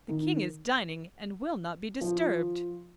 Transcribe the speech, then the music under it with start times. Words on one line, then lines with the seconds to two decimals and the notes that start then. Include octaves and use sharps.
The King is dining, and will not be disturbed.'
0.09 D#3
2.01 F3